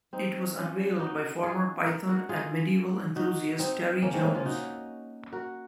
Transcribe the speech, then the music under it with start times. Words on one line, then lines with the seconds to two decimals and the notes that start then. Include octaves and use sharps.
It was unveiled by former Python and medieval enthusiast Terry Jones.
0.13 C4 D#4
0.57 C#4 F4
0.99 D#4 F#4
1.43 F4 G#4
1.86 A#4
2.09 F#4 A#4
2.29 F4 G#4
3.16 D#4 F#4
3.59 C4 D#4
4.02 A#3 C#4
4.13 G#3 C4
4.24 A#3 C#4
4.35 C#4 F4
4.46 D#4 F#4
5.32 F#4 A#4